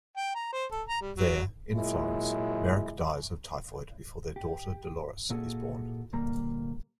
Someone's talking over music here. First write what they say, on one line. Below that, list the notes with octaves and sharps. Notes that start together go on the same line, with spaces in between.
There, in Florence, Merrick dies of typhoid before their daughter Dolores is born.
G5
A#5
C5
A4
A#5
G3
F#3
A#2 F#3 G#3 E4
G4
A#2 A#3 E4 F#4 G#4 A4
D2 A#2 G3 A#3 A#5